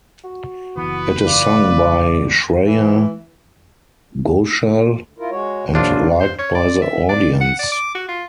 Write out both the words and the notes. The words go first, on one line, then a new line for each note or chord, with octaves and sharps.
It is sung by Shreya Ghoshal and liked by the audience.
F#4
F#1 E3 B3 B4
F4 D5
E3
D2
E4 F4 A#4
G#3 F#4 C#5
A#1 F3 F#3 D4 F4 F#4
C5
C#5
D5
E5
D5
F#5
D5
D6
F#4
F4